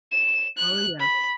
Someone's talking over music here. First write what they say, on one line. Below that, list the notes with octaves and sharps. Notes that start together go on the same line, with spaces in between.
Oh, yeah.
E7
F#6
B5